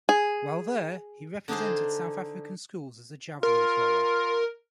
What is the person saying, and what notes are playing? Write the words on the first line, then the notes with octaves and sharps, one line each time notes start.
While there, he represented South African Schools as a javelin thrower.
G#4
D3 D4 D#4 G#4 C5
F4 A#4